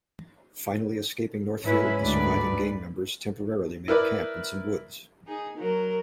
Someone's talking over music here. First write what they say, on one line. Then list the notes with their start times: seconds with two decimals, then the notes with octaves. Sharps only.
Finally escaping Northfield, the surviving gang members temporarily make camp in some woods.
1.63 G#2 C#4 E4 B4
2.00 D2 G#2 B4 D5
3.88 E4 A#4 B4 D5
5.27 D#4 G#4
5.58 F#3 A#4